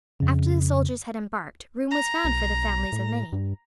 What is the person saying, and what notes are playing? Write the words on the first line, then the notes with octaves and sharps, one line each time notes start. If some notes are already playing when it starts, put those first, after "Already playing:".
After the soldiers had embarked, room was found for the families of many.
F2 C#3
A#5
B1
A2
G2